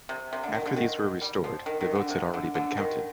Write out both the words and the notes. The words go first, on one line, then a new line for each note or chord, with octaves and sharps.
After these were restored, the votes had already been counted.
C3
C3
D3
D#3
D3
D#3
G3
F3
D#3
D#3
D3
C3
D3
D3
D#3